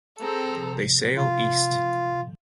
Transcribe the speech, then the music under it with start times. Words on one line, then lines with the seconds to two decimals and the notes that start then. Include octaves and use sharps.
They sail east.
0.19 C4 G#4 A4 A#5
1.17 F4